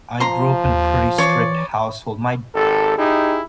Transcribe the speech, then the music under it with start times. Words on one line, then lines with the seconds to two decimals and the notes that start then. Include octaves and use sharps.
I grew up in a pretty strict household, my
0.20 F3 A#5 C6
0.65 D#2
1.18 E3 C#5 D5 C6
2.55 G#1 G4 A4
2.97 D#4 E4 G4 G#4